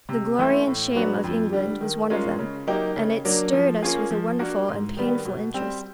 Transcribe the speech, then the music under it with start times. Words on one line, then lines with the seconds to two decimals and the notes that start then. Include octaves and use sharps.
"The Glory and Shame of England" was one of them, and it stirred us with a wonderful and painful interest.
0.09 C3
0.39 E3 A3 C4
0.67 A2
0.95 F#3 B3 D4 F#4
1.24 F2
1.52 D3 G3
1.81 D#3
2.10 G#3 C#4 F4 A#4
2.39 C#3
2.67 F#3 A#3 D#4 G4
2.96 C#3
3.25 F#3 A#3 D4
3.53 F3
3.82 A#3 C#4 F4 G#4
4.11 F3
4.39 A#3 D4 F#4 A#4
4.68 G#2
4.97 D#3 G3 B3
5.25 B2
5.54 G3 C4